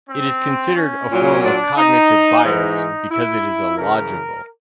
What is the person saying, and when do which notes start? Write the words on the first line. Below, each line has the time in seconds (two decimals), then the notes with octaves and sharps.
It is considered a form of cognitive bias, because it is illogical.
0.09 C4
0.76 C#4
1.10 A#2 F#3
1.43 D4
1.77 D#4
2.43 G#2 E3 D#4
3.11 E4
3.77 F#2 C#3 E3 A#4